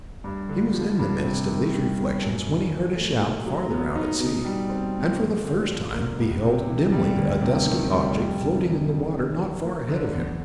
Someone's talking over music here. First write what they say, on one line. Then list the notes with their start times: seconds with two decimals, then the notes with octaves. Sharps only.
He was in the midst of these reflections when he heard a shout farther out at sea, and for the first time beheld dimly a dusky object floating in the water not far ahead of him.
0.24 G2
0.49 D3
0.74 F3
0.99 G2
1.24 C3
1.48 D#3
1.73 G3
1.98 B3
2.23 F#2
2.47 D3
2.72 F3
2.97 A3
3.22 A#2
3.46 F#3
3.70 B3
3.95 D#4
4.20 B2
4.45 G3
4.69 C4
4.95 B2
5.19 D#2
5.44 D3
5.68 F3
5.93 A#3
6.18 C#2
6.43 C3
6.67 E3
6.92 G3
7.16 D2
7.41 C3
7.66 D#3
7.91 G3
8.16 F2
8.40 C3
8.65 E3
8.90 F2
9.14 D3
9.40 F#3
9.64 A#3
9.89 D3
10.13 E2